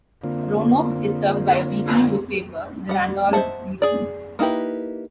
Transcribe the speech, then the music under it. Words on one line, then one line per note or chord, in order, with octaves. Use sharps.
Roanoke is served by a weekly newspaper, "The Randolph Leader".
D3 A#3 C4 F4
G3 F#5
C5 D#5 E5 F#5 A5
G#4 D5
A#3 D#4 E4 G4 B4